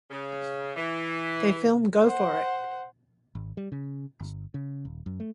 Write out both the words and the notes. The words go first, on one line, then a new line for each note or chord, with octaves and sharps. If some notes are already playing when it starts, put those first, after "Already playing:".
They film Go for It!
C#3
E3
C5 F#5
G#1
G3
C#3
G1
C#3
D#1
F#2
A3